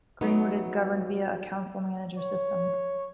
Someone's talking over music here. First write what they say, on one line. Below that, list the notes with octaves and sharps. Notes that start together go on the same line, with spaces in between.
Greenwood is governed via a council-manager system.
F#3 A3 B3 D#4
C#5